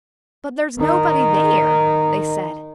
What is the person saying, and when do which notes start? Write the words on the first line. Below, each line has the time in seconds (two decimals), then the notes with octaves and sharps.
"But there's nobody there," they said.
0.78 D#3 D#4